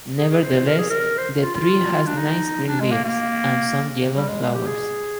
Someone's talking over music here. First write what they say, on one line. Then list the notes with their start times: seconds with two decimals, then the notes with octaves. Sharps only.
Nevertheless, the tree has nice green leaves, and some yellow flowers.
0.18 G#4
0.31 G#4
0.43 C5
0.56 C5
0.67 A#4
0.78 G#4
0.90 A#4
1.18 C5
1.43 F4
1.55 F4
2.07 D4
2.17 D#4
2.67 D4
2.80 G#3
2.92 A#3
3.04 A#3
4.16 G3
4.28 G#3
4.41 G#3
4.54 G4
4.67 G#4